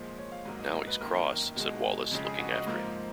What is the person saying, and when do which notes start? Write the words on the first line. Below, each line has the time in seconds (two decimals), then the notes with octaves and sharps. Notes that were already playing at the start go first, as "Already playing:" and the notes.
"Now he's cross," said Wallace, looking after him.
Already playing: A#2 F3 G#3
0.18 C#5
0.32 F5
0.45 G#2 F#3 A#3 D#5
0.59 D#5
0.73 D#5
0.87 B4
1.01 F#2 D#3 A#3 A#4
1.56 B2 G#3
2.11 F2 C#3 G#3
2.25 G#4
2.39 F#4
2.53 D#5
2.67 G#2 F3 A#3